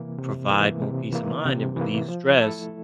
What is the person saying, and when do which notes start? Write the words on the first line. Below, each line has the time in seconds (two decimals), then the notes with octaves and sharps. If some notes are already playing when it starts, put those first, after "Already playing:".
provide more peace of mind, and relieve stress,
Already playing: C3 E3 A#3
0.19 C3
0.50 E3 A#3
0.82 C3
1.13 E3 A#3
1.45 C3
1.76 E3 A#3
2.08 F3
2.40 A3 E4 A4